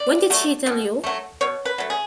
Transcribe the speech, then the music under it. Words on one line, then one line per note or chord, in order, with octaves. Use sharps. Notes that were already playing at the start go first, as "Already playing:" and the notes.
When did she tell you?
Already playing: D5
F#3 A3
B2
F#3 A3
B2 C#5
B4
F#3 A3
G#4